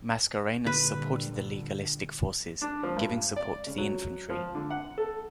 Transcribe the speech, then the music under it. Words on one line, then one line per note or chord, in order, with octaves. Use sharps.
Mascarenhas supported the legalistic forces, giving support to the Infantry.
A#2 D3 G3 B4
D4
F3
G2
D5
C#3
F#3
F3
D3
F#5
A4